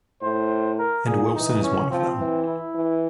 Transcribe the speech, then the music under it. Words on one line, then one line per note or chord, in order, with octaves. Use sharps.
And Wilson is one of them.
A2 C5
A#4
A#2 G#4
E3 D#4
C#4
F3 C4
E3
E4
E3